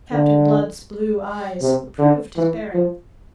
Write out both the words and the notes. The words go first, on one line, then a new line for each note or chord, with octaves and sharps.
Captain Blood's blue eyes approved his bearing.
D3
C3
D3
E3
F3